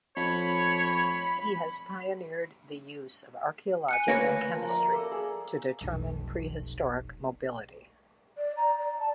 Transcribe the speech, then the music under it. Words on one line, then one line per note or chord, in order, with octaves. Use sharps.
He has pioneered the use of archaeological chemistry to determine prehistoric mobility.
F2 C#5 B5
G#5 F#6 C#7
A#3 B4 C#5 A#6
D2
F3 A#4
D5 E5 A#5
A#3 A4 E6
G#4
F1 B1
D5
A#5
D5
A5